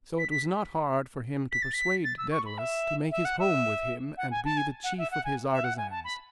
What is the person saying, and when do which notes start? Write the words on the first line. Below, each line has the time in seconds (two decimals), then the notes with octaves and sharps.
So it was not hard for him to persuade Daedalus to make his home with him and be the chief of his artisans.
0.18 B6
0.31 B6
1.51 B6
1.62 A6
1.73 B6
2.04 A6
2.18 E6
2.31 C#6
2.45 B5
2.58 E5
3.11 E5
3.25 F#5
3.39 E5
4.17 F#5
4.30 G#5
4.45 A5
4.57 G#5
4.83 F#5
4.98 E5
5.11 F#5
5.24 G#5
5.51 E5
5.64 F#5
5.77 G#5
5.90 A5
6.04 B5